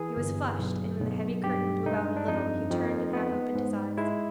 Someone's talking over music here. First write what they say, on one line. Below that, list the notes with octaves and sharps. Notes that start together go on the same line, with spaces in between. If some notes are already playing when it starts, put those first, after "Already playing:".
He was flushed; and when the heavy curtain blew out a little he turned and half-opened his eyes.
Already playing: E3 G#4
G1
B1
B1
G2 G4
G2 D#4
D4
F2 D#4
F2
B3
G#2
G#3 E4